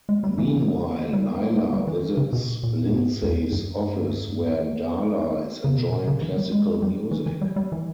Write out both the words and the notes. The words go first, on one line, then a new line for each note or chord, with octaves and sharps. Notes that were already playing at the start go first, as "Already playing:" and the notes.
Meanwhile Lilah visits Lindsey's office where Darla is enjoying classical music.
G#3
G3
E3
G3
G3
E3
C#3
B2
A#2
G#2
E2
G2
C#3
B2
A#2
C#3
E3
G3
G#3
G3
E3
E3
G3
G3
E3